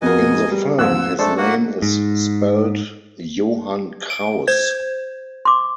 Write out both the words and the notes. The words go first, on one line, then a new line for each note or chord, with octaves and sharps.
In the film his name is spelled "Johann Krauss".
F2 B3 F#4 G#4 A#4 D#5 G#5
G3
F2 G#2 C4 E6 F#6
G#3 A3 D4 G#4 A4 C5
A#3 F#4 F#5
G#2
D7
C5 G6 G#6
C6 D6